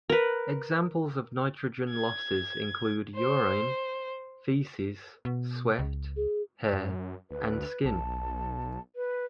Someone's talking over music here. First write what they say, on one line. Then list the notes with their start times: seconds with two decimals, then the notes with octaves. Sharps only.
Examples of nitrogen losses include urine, feces, sweat, hair, and skin.
0.09 A#4 B4
1.90 G#6
3.16 C5
5.25 B2
5.79 C#2
6.16 G#4
6.73 F#2
7.31 D2 B4
7.85 B1 A5
8.96 B4